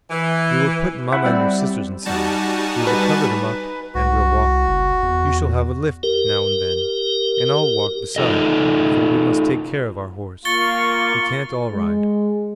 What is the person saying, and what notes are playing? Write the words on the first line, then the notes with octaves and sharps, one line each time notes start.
'We will put mamma and your sisters inside, we will cover them up and we'll walk, you shall have a lift now and then, and I'll walk beside, for we must take care of our horse, we can't all ride.
E3
E4 E5 F#5
G3 C4 C5 D5
G3 D#4 F#4 G#5 A5
B4
C2 F#4
F#1
E2
G4 A#4
D#4 F4 A4 D#5
A#3 F4 C#6 A6 C#7 G7
G#3